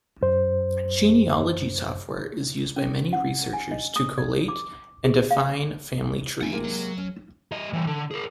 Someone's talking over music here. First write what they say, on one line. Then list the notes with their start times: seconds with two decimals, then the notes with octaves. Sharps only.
Genealogy software is used by many researchers to collate and define family trees.
0.22 F#2 C5
2.76 C#4
3.13 F#5
3.53 G#5
3.71 D#5
3.96 D#6
4.18 D5
4.48 D6
5.04 G#4
5.31 F5
6.41 A3 F#5 G#5
6.52 C3 G#3 A#3
6.64 F#3
6.98 C#4
7.52 G3 D#5
7.73 E3 G3
7.87 D3
8.11 G#4 A#4